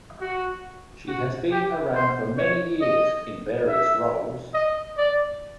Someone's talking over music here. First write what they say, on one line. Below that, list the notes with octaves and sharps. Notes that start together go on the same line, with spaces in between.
She has been around for many years in various roles.
F#4
F#4
G4
C5
C#5
D#5
E5
D#5
D5